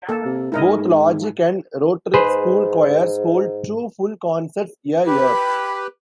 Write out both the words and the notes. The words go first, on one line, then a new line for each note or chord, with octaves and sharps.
Both Logic and Rhetoric school choirs hold two full concerts a year.
A#3 A4
C3
G#2 E4 A#4 D#5
G#2 G#4 B4 C5
G4 B4 B5